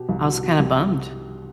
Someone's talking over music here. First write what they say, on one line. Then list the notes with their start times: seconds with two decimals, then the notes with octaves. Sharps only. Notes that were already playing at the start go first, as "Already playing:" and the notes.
I was kinda bummed.
Already playing: B2 G4
0.09 C2
0.26 B2
0.43 B2 F#4
0.59 C2 G4